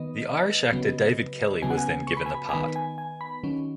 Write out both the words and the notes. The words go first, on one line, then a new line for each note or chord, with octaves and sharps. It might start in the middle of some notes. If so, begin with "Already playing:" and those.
The Irish actor David Kelly was then given the part.
Already playing: D#3 B3 D#5
C#3 F#3 B3
C#3 F#3 B3 G#5
F#5
G#5
C#6
B5
G#5
B5
G#5
D#3 B3 B5
G#5
G#5
B5
D#3 F#3 C#4